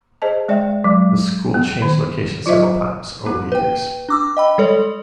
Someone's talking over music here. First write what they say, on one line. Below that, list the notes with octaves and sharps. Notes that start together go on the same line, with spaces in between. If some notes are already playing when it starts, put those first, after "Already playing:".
The school changed location several times over the years.
G#4 C5 D#5 A5
G#3 D5 E5 G5
F#3 G#3
B3
D#3
F#3 F4 C5 D#5 E5
A#3
B4 G5
D4 D6 E6
D#5 G5 B5
G3 G#3 A4 C#5 D5